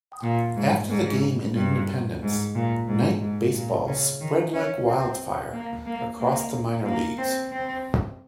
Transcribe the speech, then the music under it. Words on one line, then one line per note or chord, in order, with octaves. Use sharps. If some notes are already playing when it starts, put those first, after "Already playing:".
After the game in Independence, night baseball "spread like wildfire" across the minor leagues.
A#2
G#2
G#2
G2
G#2
A#2
G#2
G#2
A#2
C#3
D#3
C#4
C4
A#3
A#3
A#3
A#3
C4
C4